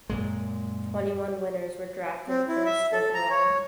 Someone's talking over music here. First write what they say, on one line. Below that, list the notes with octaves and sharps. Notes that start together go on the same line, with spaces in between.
Twenty-one winners were drafted first overall.
F#2 A#2 G#3
C4
E4
E5
A4
A#5
C#5